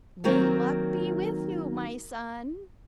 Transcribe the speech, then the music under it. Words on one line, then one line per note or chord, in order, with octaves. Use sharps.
'May Luck be with you, my son.
D#3 F#3 A#3 C4